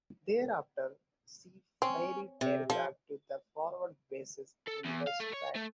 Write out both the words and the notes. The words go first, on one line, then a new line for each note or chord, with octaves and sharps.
Thereafter she ferried aircraft to forward bases in WestPac.
C4 C#4
C3
F3 A4
A4
E2
F5
A3
C#5
A3